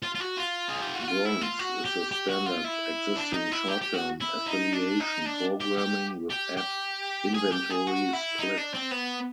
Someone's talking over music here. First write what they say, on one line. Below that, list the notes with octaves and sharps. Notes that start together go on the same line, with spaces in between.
Bronze is the standard existing short term affiliation, programming with ad inventory splits.
F4
F4
F#4
F4
G#4
G4
F#4
F4
E4
F4
F#4
G4
G4
F#4
F4
E4
D4
D#4
E4
G4
G4
F#4
E4
D#4
D4
D#4
D4
G4
G4
G4
G4
G#4
G4
G#4
F#4
E4
D#4
D4
C4
B3